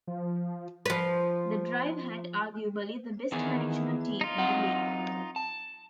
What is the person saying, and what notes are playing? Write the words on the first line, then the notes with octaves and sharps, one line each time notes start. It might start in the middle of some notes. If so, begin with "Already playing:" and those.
The Drive had, arguably, the best management team in the league.
F3
F3 B4
D#3 E3 B3 G#4
D#4 F4
F#2 C4 F#5
A5